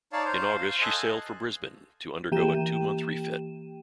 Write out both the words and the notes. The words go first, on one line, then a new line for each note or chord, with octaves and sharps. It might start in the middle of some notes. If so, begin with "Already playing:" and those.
In August, she sailed for Brisbane to undergo a two-month refit.
D#4 C#5 D5 F5 A5
C5 F5
A4 D#5 G#5 F#6
E3 A#3 G4 G5 D#7 E7